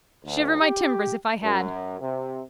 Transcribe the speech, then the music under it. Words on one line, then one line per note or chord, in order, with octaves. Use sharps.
Shiver my timbers if I had.
D2
G4
F#2
C3